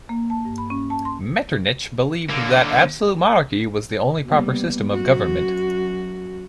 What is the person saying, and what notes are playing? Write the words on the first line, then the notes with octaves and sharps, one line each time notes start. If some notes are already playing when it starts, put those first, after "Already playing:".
Metternich believed that absolute monarchy was the only proper system of government.
A#3
A5
G2
B5
C#4
A5
C6
D3 A#3
G3 A#3 B3
F#2 F#4